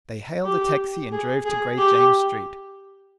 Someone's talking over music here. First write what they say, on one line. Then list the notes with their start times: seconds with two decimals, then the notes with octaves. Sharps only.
They hailed a taxi and drove to Great James Street.
0.45 G4
1.12 G#4
1.45 G#4
1.79 G4